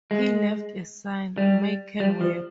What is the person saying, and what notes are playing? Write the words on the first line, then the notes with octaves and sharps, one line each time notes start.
He left a son, Michael Webb.
G#3
G3
G3
F3